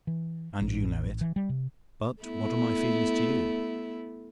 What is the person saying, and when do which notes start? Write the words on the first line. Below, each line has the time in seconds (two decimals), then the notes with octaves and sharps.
And you know it; but what are my feelings to you?
0.07 E3
0.61 A1
1.21 E3
1.36 G3
1.49 C3
2.22 A3 B3 E4